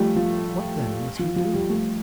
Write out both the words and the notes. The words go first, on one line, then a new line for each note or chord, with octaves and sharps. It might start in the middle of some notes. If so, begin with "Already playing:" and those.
What then must he do?
Already playing: F3 G3 A3
F3
F3
F3
G3
A3